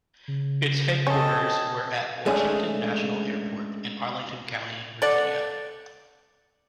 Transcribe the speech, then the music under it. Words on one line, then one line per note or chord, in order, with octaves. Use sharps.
Its headquarters were at Washington National Airport in Arlington County, Virginia.
C#3
C4 C#4 A4 D#5 A5
G#3 A3 C#4 D4 G#4
A4 D5 F#5